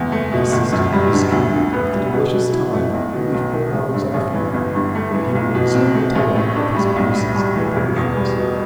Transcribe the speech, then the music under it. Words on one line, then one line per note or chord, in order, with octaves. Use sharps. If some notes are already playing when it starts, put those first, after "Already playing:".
The assistant is dreaming of the delicious time--only four hours off now--when he will resume the tale of his bruises and abrasions.
Already playing: F#1 E2
A3
B2
G1
F#2
G3
D3
D2
D3
B3
G3
B2
F#3
E4
A3
B1
B2
B1
A3
A1
G2
A1
E3
G1
G2
A3
E3
B1
B2
C4
A3
A1
A2
D4
G3
B1
A2
G3
E3
E1
E2
G3
B2